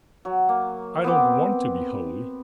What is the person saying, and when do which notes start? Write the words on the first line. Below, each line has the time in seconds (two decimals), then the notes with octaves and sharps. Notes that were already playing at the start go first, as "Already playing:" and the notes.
I don't want to be holy.
0.25 F#3
0.49 A#3
1.04 B3 C4 D6